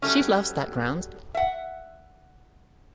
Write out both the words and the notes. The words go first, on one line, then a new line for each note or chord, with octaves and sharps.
She loves that ground.
F#3 G3 A3 C#4
E5 F#5